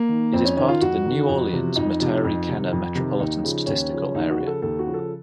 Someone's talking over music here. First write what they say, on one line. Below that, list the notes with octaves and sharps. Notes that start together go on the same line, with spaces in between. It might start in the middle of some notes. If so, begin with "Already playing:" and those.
It is part of the New Orleans-Metairie-Kenner Metropolitan Statistical Area.
Already playing: A#3
D#3
F2 C4
C#4
D#3 C#4
F4
F2 F#4
D#3
F2
C3 F3
F2 D#4
C3 F3
F2
C3 D#3
F2
C3 D#3
D#2 D#4
C#3 F3
D#2 C#4
C#3 F3
D#2 D#4
F#4
C#3 F3
A4
D#2 A4
F#4
C#3 F3
A4